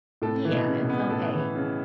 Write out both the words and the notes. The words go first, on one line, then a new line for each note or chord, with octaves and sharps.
Yeah, it was okay.
A2 A4
E3
B2
C#3
B2
B3
A2 A4
E3
C#3